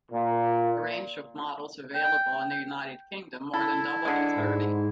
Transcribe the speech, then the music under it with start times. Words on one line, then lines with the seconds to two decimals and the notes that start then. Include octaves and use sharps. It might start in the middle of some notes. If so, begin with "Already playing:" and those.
The range of models available in the United Kingdom more than doubled to thirty.
0.11 A#2
1.95 G5
3.54 E4 A4
4.05 D3 G#3
4.38 G#2